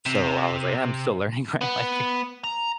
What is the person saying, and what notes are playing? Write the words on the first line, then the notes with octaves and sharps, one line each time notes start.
so I was like, "I'm still learning, right?" Like
C3
B3
A#5